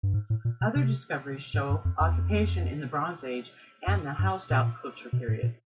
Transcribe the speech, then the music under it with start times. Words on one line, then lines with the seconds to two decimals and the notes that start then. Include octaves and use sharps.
Other discoveries show occupation in the Bronze Age and the Hallstatt Culture period.
0.03 G2
0.14 G#2
0.30 A2
0.45 A#2
0.61 B2
0.75 C3
1.54 G#2
1.70 G2
1.85 F2
2.00 F2
2.09 E2
2.18 F2
3.87 F#2
4.19 G2
4.50 A#2
5.13 B2
5.28 A2
5.43 A#2